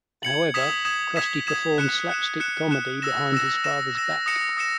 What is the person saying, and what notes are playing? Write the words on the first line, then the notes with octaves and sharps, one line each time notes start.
However, Krusty performed slapstick comedy behind his father's back.
G#6 C#7 F#7
D#6 G#6 B6 E7
D#6 G#6 B6 E7
D#6 G#6 B6 E7
D#6 G#6 B6 E7
F#6 C#7 E7
F#6 C#7 E7
F#6 C#7 E7
F#6 C#7 E7
E6 A#6 E7
E6 A#6 E7
E6 A#6 E7
E6 A#6 E7
D#6 A#6 C#7 E7
D#6 A#6 C#7 E7